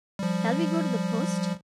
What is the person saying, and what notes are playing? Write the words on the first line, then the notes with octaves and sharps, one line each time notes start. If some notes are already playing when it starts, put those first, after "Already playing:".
Shall we go to the post?
F3 G3